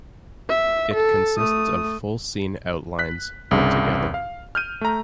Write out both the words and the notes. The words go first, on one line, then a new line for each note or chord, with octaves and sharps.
It consists of full-scene outlines put together.
E5
A4
A3 D#6
F#6 B6
C2 G2 C#3
F5
F6 G6 D#7
A3 A#5